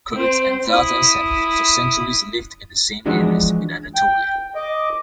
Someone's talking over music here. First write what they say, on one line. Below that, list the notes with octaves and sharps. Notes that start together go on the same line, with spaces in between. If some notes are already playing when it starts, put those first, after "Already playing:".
Kurds and Zazas have for centuries lived in the same areas in Anatolia.
C4 C5
E4 D#6
E3 F3 G#3 D4 F#4
G5
D#5 D6